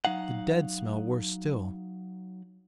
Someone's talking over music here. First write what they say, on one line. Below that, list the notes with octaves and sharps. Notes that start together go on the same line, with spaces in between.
The dead smell worse still!
F#3 D#4 F5 F#5